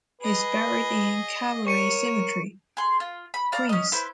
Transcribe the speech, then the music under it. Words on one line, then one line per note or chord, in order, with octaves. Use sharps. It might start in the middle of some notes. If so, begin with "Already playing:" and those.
He is buried in Calvary Cemetery, Queens.
G#4 B4 D#5
A#4 C#5 C#6 C#7 D#7
G#4 C6
F4
B5
D5 F5 A#5
C#4 D#5
E4 B4 C5